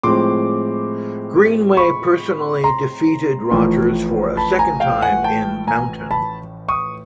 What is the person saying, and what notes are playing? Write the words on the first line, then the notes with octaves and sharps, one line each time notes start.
Greenway personally defeated Rogers for a second time in Mountain.
A2 F3 G#3 C4 C6 D6
B5 C#6
A#5 C6
A1 A2 F3
A5 B5
G#5 A#5
F5 G5
F#5 G#5
G5 A5
G#5 A#5
A5 B5
C#6 D#6